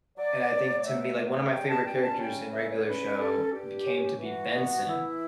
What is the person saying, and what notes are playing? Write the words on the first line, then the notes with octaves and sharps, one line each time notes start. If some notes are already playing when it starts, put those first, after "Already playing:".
And I think to me like, one of my favorite characters in Regular Show became to be Benson,
F#3 D5
F#3
D5
A3 E5
F#3
G3 G5
A5
C#4 G5
A5
C#3 G5
E2 E5
C#5
C#4 B4
C#4 A4
G2 G4
C#4
E3 F#4
B3
E3 E4